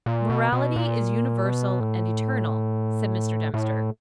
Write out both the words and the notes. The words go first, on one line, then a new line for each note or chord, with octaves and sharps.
"Morality is universal and eternal," said Mr. Dempster.
A#2
B2
B2
A#2
B2
A2
A2